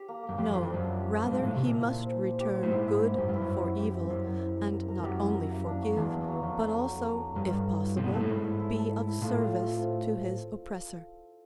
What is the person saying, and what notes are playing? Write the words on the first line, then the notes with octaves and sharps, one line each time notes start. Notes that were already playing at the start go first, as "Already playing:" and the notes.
No, rather he must return good for evil, and not only forgive, but also, if possible, be of service to his oppressor.
Already playing: G4
A#3
A#3
F#2
F2 G4
F2
F3
F2
F#2 D4
D4
G4
A#3
G2
G#2 F3
A2 A#3
C3
A#2 A#3
E4
C5
C5
C5
G4
C5
A2
G#2 E4
E4
C5
F#2 G4
G2 E4
F#2
E4
E4
G4
C4
F#2 G4
A#4
E4
E4
A#4
A#4
F#2 G4
E4
A#4
A#3
D4
F#3
E2 D4
A#3
F#3
F2 F#3
D4
F#3
F#3
F#3
A#3
G2 C#5
A4
E4
E4
C3 C#5
B2
A#2 A4
A2
G#2 E4
E4
E4
A4
E4
E4
A2 F4
F4
F4
C4